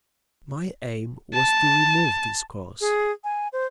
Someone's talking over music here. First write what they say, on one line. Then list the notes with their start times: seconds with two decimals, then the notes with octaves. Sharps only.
My aim was to remove this cause.
1.34 A5
2.81 G#4
3.24 G#5
3.53 C5